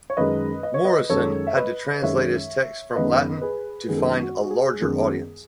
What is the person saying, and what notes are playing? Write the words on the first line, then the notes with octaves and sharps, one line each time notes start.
Moryson had to translate his texts from Latin to find a larger audience.
C#5
F#2 D#3 G#3 B4 D#5
D#5
C#5
B4 D#5
F#2 D#3 G#3 A4 C#5
E5
B4 D#5
F#2 D#3 G#3 C#5 E5
F#2 D#3 G#3 B3 B4 D#5
G#4 B4
F#2 D#3 G#3 B3 G#4
A4
G#4
F#4
F#4
G#4
F#2 D#3 G#3 B3 G#4